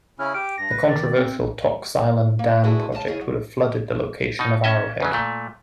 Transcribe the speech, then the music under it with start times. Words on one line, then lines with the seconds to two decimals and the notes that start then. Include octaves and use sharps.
The controversial Tocks Island Dam project would have flooded the location of Arrowhead.
0.19 C#3 C#4 E4 F6
0.34 G4 D7
0.58 G2 A#6
0.70 B4
0.88 D#3 D5
1.17 C4
2.39 A#3
2.64 A3 B3 D4 E4 F#4 G#4
2.92 C#3 G#3 D#5 A5
3.06 C#3 E4 G#4 C#5 D#5
3.21 F#3
4.39 B2 D#4
4.64 C#4 D#5 E5
5.00 E2 C#3 F#3
5.13 A#2 A3